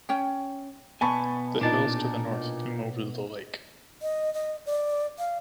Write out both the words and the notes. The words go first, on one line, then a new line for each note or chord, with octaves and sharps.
The hills to the north loom over the lake.
C#4 G5
B2 B3 G#5 A5 B5 C#6
A#2 D4 D#4 A5
D#5
D#5
D5
F5